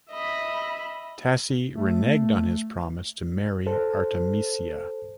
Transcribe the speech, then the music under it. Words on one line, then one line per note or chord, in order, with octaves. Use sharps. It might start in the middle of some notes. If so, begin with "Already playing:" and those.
Tassi reneged on his promise to marry Artemisia.
D#5 E5 B5
A3
A4 C5